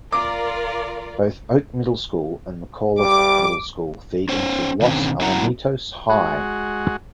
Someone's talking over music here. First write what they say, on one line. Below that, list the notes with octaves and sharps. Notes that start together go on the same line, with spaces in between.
Both Oak Middle School and McAuliffe Middle School feed into Los Alamitos High.
F4 A#4 D5 D6
G3 D6
C#4 C5 C#5
B2 D3 D#3 C4 C#4
F#3 C4 E4 F#5 A#5
G#3 F#4